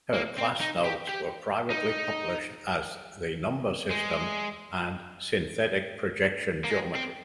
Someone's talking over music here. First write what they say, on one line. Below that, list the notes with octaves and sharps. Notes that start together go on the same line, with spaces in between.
Her class notes were privately published as "The Number System" and "Synthetic Projection Geometry".
A#3
C4
D#4
G4
G4
D#4
G#3
A#3
G#3
C4